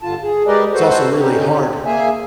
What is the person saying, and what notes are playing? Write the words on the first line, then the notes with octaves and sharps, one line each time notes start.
It's also really hard.
G2 D3 F4 A5
G#4
G#3 G4 A#4 B4 D5 D#5
F#4 A4 B4 C5
D3 C#4 D#4 G4
A#3 G#4 E5 G#5